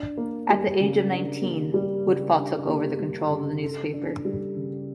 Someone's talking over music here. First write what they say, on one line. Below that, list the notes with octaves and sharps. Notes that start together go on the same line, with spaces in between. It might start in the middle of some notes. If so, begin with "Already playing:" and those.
At the age of nineteen, Woodfall took over the control of the newspaper.
Already playing: D4
A#3
G3
C#3
D4
A#3
G3
C#3
D4
A#3
G3
C#3
A4
D4
G3
C#3